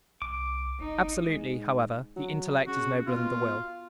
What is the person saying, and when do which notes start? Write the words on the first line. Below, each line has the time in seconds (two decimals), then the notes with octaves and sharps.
Absolutely, however, the intellect is nobler than the will.
0.22 C2 D6
0.80 G1 D#4
1.24 G#2
2.16 F#3
2.67 C#3 F#4
3.07 B2 F4